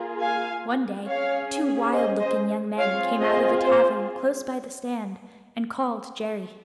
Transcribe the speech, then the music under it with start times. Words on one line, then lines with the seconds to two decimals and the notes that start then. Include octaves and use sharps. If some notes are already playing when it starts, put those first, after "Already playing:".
One day two wild-looking young men came out of a tavern close by the stand, and called Jerry.
Already playing: A#3 F4 G#4
0.21 F5 G#5
1.07 C#4 G#4 C#5 F5
1.92 C5 D#5
2.20 C5 D#5
2.77 C4 F4 G#4 C#5 F5
3.21 C5 D#5
3.63 C5